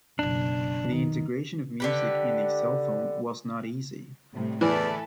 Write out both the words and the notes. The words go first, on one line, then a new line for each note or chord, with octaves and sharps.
The integration of music in a cellphone was not easy.
F#1 B2 D4
D#3
D3 G4 B4
A2 C3 G3
E2 E3 E4 A4 B4 D5